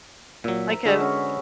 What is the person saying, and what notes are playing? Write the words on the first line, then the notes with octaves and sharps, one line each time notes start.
Like a b
A#2 F#3 E5
A#4 C5
D3 G#3 F#4 G#4 E5
C#4 F#4 B4